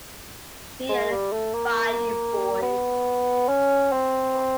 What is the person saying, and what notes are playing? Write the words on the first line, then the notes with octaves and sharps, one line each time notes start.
B. and his Bayou Boys.
G#3
G3
A3
A#3
B3
C#4
C4